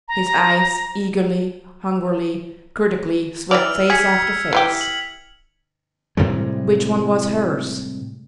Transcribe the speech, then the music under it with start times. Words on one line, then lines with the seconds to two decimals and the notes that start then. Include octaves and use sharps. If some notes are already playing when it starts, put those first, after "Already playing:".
His eyes, eagerly, hungrily, critically, swept face after face. Which one was hers?
0.08 A#5
3.51 E3 G3 D5 E6 F6 F7
3.90 G#4 G#6 B6 C#7
4.53 E3 F4 G4
4.81 F#7
6.17 A2 C3 G3 G#3